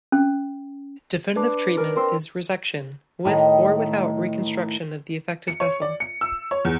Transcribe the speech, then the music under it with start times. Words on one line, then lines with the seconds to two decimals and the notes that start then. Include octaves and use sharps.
Definitive treatment is resection with or without reconstruction of the affected vessel.
0.12 C#4
1.36 D4 B4 D6
1.77 A#4 D5
1.96 C4 C5 E6
3.25 A2 D#3 D#5
5.48 C#7
5.60 C#5
5.82 D5
6.00 C#7
6.21 E6
6.51 C#5
6.65 E2